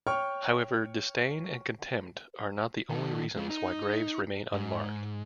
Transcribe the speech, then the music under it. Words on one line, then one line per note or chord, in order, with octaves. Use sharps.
However, disdain and contempt are not the only reasons why graves remain unmarked.
C#5 G5 C#6 F6
D#3 A4
G#3 F4
D#4
G#2